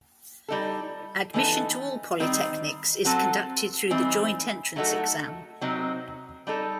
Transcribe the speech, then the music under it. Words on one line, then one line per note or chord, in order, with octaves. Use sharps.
Admission to all Polytechnics is conducted through the Joint Entrance Exam.
G3 D#4 A4
E3 B3 D#4 A4
D#3 G3 C4 D#4
F#3 C4 F#4 A4
E3 G3 C4 D#4
F#3 A3 D#4 F#4 A4
C3 F#3 C4 D#4
G3 D#4 A4